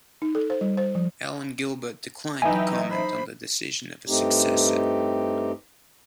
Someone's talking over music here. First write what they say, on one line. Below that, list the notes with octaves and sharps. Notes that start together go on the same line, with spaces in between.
Alan Gilbert declined to comment on the decision of his successor.
D#4
A4
C5
G3
C5
F3
E3 F#3 D#4 B4 E5 G5 G#5
C5 B5
G2 A3 C4 D#4 G4